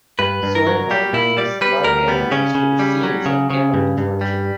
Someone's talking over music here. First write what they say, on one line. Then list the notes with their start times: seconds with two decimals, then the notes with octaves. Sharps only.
Tsui Hark used live animals for the scenes of animal torture.
0.19 G2 B4
0.43 G2
0.55 A#4
0.67 F#3
0.91 G3 G4
1.13 A#2 E4
1.37 G3 D5
1.61 G3 B4
1.84 D2 A#4
2.08 G3 B3
2.31 C#3 C#4
2.55 C#3
2.79 G3
3.03 F#3
3.26 C#3
3.50 C#3
3.74 G2
3.98 G2
4.21 G3